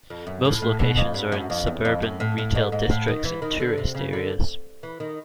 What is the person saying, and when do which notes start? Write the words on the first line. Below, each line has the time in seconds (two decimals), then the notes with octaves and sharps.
Most locations are in suburban retail districts and tourist areas.
0.10 F2
0.27 F#2
0.45 A2
0.62 A2
0.79 B2
0.97 F2
1.14 G2
1.32 F#2
1.50 F2
1.67 E2
1.85 F2
2.02 F#2
2.20 A2
2.38 A2
2.55 G#2
2.72 G#2
2.90 A2
3.08 D#3
3.25 E3
3.42 D#3
3.60 D3
3.78 C3
3.95 C#3
4.13 D3
4.83 E3
5.00 D#3